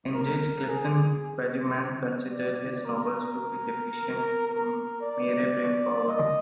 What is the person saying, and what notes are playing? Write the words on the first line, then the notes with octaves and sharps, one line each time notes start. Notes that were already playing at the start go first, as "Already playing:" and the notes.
Indeed, Clifton Fadiman considered his novels to be deficient in mere brain-power.
A#4
G#4
D5
A#4
A#4
D5
D#5